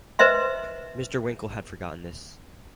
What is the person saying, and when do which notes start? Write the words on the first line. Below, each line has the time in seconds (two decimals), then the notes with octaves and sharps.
Mr. Winkle had forgotten this.
0.19 B4 C5 D#5 E5 C6